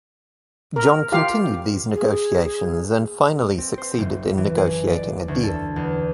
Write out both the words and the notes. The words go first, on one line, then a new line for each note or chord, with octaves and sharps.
John continued these negotiations and finally succeeded in negotiating a deal.
A#4
F4 G4 F5
G#4
C4
C5
F#1
E3
G#4
D5
D2
A4
E2